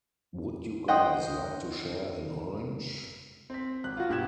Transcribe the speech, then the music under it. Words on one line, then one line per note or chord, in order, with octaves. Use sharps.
Would you guys like to share an orange?
D#5 F#5 G5 C6 D#6
C4 B6
G#1 F#6
F4 F#4
G2 B2 G4 F#6 G#6 E7